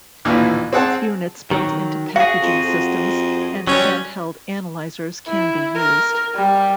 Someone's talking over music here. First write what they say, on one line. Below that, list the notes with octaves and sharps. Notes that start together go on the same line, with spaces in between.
Both units built into packaging systems and handheld analysers can be used.
A1 D#2 A#2 D3 E3
C4 G#4 F#5 A5
D#3 F#3
F#4 G#4 F5
F2
F2
F#3 G3 C#4
E4
A#4
G3